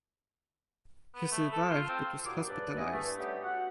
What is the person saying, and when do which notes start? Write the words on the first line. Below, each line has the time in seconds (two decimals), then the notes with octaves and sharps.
He survived but was hospitalised.
1.15 B3
1.32 A3
1.52 A4
1.71 F4
1.88 C4
2.25 D#2 A#2 A#3 F#4 G#4 D6
2.48 D2 G2 C#3 D4 B4 D5
2.78 B3 E4 D#5 G#5
2.92 G2 A3
3.19 G3 A3 B3 C#4 D#4 G4
3.43 F#4 F#5